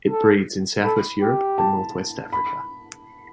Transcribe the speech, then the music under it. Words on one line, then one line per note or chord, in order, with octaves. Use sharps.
It breeds in southwest Europe and northwest Africa.
A4
A4 B5
G4
A5
B5